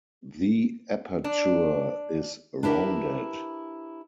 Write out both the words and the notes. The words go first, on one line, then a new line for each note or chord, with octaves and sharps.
The aperture is rounded.
D4
D4 E4 G4 A#4 B4